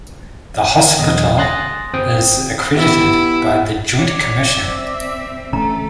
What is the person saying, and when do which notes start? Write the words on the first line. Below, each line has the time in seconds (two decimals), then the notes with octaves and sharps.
The hospital is accredited by the joint commission.
0.98 B1 E2 D#5
1.37 G#5 C6 D#6 F#6 A6 A#6
1.94 G1 C4 G5 D#6
2.76 B3 E4 G4 E5
3.98 C#5 D5
4.57 C4 E5
5.53 A1 D3 A3 C#4 A#5